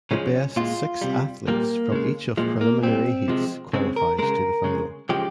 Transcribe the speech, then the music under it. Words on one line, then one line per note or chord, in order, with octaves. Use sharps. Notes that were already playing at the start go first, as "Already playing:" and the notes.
The best six athletes from each of preliminary heats qualifies to the final.
C#3 F3 G#3 C#4
A#2 G#3 F4
C3 G3
A#2 G3 A#3
C#3 G#3
A#2 F3 G#3
A#3
A#2 G3 C4
C3 F3 G#3
C#3 G#3 C4
A#4
C#3 G#3 A#4
C#3 G#3
C#3 F3 G#3 G4